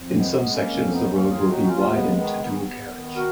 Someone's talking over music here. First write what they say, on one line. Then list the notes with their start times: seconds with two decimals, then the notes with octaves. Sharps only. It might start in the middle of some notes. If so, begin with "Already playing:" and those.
In some sections the road will be widened to dual carriage.
Already playing: F2
0.17 G#3 B3
0.42 G#3
0.54 A#3 C#4
0.67 F2
0.91 D#2 B3 D#4
1.11 A#3 C#4
1.16 D#3
1.29 F4 G#4
1.42 D#2
1.48 D#4 F#4
1.66 D#2 C#4 F4
1.91 G#3 B3
2.16 D#3 B3
2.41 D#3 B3
2.67 D#3
2.91 D#3
3.15 F#4 A#4